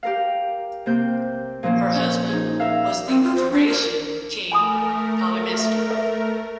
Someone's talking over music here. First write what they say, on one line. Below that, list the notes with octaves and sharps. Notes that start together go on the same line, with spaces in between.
Her husband was the Thracian king Polymestor.
G4 A#4 F5
C3 A#3 G6
A#2 F3 A#3 C#4
C#4
D#4 G#4
A#4 E5 F5
C4
F4
C5
D4
A#4
A3 A#4 G#5 B5 D#6
E5
B4 E5